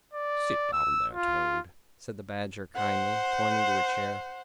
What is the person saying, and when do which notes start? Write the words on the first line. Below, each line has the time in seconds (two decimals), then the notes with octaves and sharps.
'Sit down there, Toad,' said the Badger kindly, pointing to a chair.
0.13 D5
0.73 E6
1.12 F4
2.76 C5 F#5